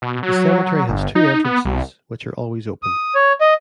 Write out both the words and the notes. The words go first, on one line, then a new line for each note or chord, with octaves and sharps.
The cemetery has two entrances which are always open.
B2
F#3
G1
D#4
B3
C2
D#6
C#5
D#5